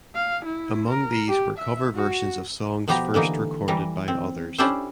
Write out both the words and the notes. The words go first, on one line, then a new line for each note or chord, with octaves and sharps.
Among these were cover versions of songs first recorded by others.
F5
E4
A#4
G4
E5
F#4
B2 F3 B3 G4 G5 A#5
D3 E3 A#3 D#4
E3 G3 A#5
C4
C#4 D4 E4 G4 A4 C5